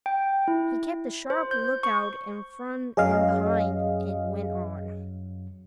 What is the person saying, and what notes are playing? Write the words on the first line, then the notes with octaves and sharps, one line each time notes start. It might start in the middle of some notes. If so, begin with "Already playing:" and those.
He kept a sharp lookout in front and behind and went on.
G5
E4
C5
G6
C#6
F#2 F#3 G#4 D#5 F5